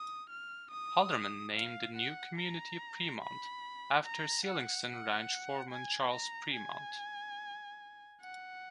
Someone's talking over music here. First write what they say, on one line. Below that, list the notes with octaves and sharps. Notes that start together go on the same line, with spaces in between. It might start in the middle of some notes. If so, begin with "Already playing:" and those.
Halderman named the new community Premont, after Seeligson Ranch foreman Charles Premont.
Already playing: D#6
F6
D#6
F5
F#5
A#5
B5
A#5
F#5
F#5
G#5
A#5
G#5
F#5